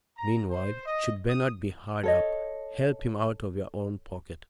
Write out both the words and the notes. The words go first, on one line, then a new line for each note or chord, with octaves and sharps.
Meanwhile, should Bernard be hard up, help him out of your own pocket.
A#5
C5
D#5
D#6
A4 C#5 D#5